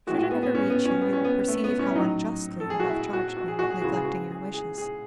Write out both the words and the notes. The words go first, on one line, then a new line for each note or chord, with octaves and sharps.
Should it ever reach you, you will perceive how unjustly you have charged me with neglecting your wishes.
A2 E3 G#3 F#4
F#4
B3
B3
C#4
B3
C#4
B3
C#4
B3
A3
B3
C#4
E4
A2 F#3 D#4
A4
G#4
F#4
E4
F#4
F#4
G#4
F#4
G#4
C#3 E3 G#3 F#4
G#4
F#4
G#4
G#4
G#4